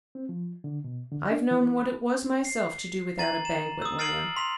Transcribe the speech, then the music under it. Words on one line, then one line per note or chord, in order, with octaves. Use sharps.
I've known what it was myself to do without a banquet lamp.
C4
F3
D3
B2
D3
D4
E3
B5
C7
A#5 A6 D#7 F#7
E7
D#6 E6
F6 A6 C7 D7 D#7 F#7
C6 B6 F7